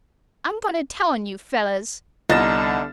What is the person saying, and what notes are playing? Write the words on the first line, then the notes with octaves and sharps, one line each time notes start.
"I'm going to tell on you fellows!"
C2 D3 B3 D#4 F6 A6 E7